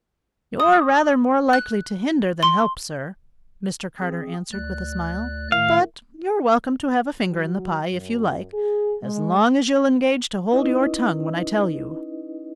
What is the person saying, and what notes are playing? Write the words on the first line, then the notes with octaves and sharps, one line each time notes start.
"You're rather more likely to hinder than help, sir," Mr. Carter answered, with a smile; "but you're welcome to have a finger in the pie if you like, as long as you'll engage to hold your tongue when I tell you."
D#6
F#6
C6
C4 G#4
D2 D5 F#6
A2 D#3 A3 F5
F#3
F#2
G#4
G#3
C#4 D#4 E4 B4 D#5